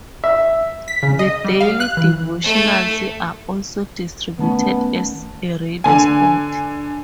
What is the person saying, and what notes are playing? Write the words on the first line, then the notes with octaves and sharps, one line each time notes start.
The daily devotionals are also distributed as a radio spot.
E5
B6
C#3
D#5
G3
F5
F#6
E3
A3 A4
D#3 A3 B3 C#4 A5
D3 G#5